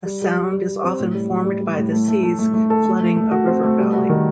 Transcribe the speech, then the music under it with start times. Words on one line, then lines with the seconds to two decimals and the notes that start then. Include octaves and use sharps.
A sound is often formed by the seas flooding a river valley.
0.06 G3
0.22 G3
0.37 G3
0.52 G3
0.68 G3
0.84 C4
0.99 A2
1.14 G3
1.29 A2
1.45 G3
1.61 G3
1.77 A2
1.92 A3
2.08 A3
2.23 A3
2.39 A3
2.54 A3
2.70 A4
2.85 A3
3.01 A3
3.17 A3
3.31 F#4
3.47 C4
3.63 A3
3.79 G3
3.93 F#4
4.09 D#3